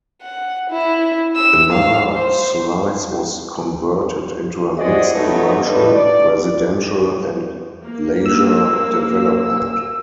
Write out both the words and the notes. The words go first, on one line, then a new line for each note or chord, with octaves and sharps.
Another slice was converted into a mixed commercial, residential and leisure development.
F#5
E4
E6
F5
C5
E3 C4 F#4 G#4 D5 D#5
B2 F#3 A3 B3 D#4
A#3 D4 D#4 A4 B4
D5
A#3
E6